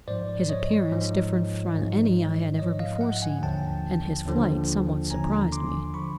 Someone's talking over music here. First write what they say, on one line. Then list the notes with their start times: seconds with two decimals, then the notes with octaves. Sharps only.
His appearance, different from any I had ever before seen, and his flight somewhat surprised me.
0.08 G#2 F3 C5 D5
0.49 C#5 D#5
0.92 G#2 F3
1.75 G#2 F3
2.59 G#2 F3 C#5 D#5
2.80 D#5 F5
3.01 E5 F#5
3.22 F#5 G#5
3.42 D#2 D3 F3 G5 A5
4.26 D#2 D3 F3
5.10 D#2 D3 F3 G#5 A#5
5.52 C6 D6
5.94 D3 F3 B5 C#6